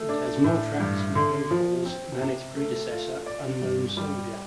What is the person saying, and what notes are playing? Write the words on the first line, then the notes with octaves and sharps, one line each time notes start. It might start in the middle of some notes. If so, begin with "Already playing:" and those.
'It has more tracks with vocals than its predecessor, "Unknown Soldier".
Already playing: A3
D4
A2
G2
D3
F3
C4
C3
A3
F4
D5
G2
G3